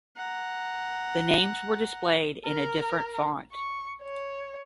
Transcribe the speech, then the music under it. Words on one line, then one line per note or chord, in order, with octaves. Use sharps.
The names were displayed in a different font.
F#5 A#5
A#4
C#6
C#5